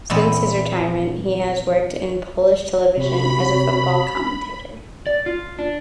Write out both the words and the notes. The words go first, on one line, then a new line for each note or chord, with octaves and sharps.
Since his retirement, he has worked in Polish television as a football commentator.
E2 A#2 B3 C4
C3 F#4 B5
D5
F4
D4